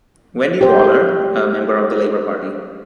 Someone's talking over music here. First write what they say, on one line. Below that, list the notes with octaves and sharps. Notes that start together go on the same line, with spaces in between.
Wendy Waller, a member of the Labor Party.
G4 C5